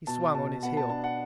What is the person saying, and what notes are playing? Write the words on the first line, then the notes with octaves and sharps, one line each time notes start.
He swung on his heel.
B2 A5
B2 A5
B3 F#5
A5
D4 A5
F#5